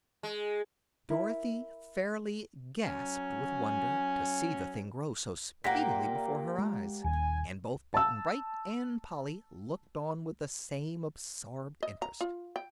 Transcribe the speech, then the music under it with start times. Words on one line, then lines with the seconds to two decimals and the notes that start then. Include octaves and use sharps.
Dorothy fairly gasped with wonder to see the thing grow so speedily before her eyes, and both Button-Bright and Polly looked on with the same absorbed interest.
0.23 G#3
1.10 E4 A#4
2.86 F#3 C#4
5.64 A#2 G3 A#3 F#5 A#6 B6
6.58 G#3
7.04 D#1 D#2 G#5
7.94 A5 E6
11.83 D#5
12.02 A#5
12.21 F4
12.56 G5